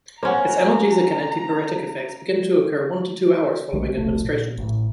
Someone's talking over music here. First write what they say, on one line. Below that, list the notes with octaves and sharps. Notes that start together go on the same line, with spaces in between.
Its analgesic and antipyretic effects begin to occur one to two hours following administration.
A#3 C#4 C5 F#5 A#5
B1 D3 G#3 A#3
D#1 A#1 C3 A3
A#2
A1 A2